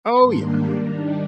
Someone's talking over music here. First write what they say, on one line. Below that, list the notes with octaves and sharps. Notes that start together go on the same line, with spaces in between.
Oh, yeah.
G#2 D#3 G3 A#3 D4 C6
D#3 G3 D4 A#5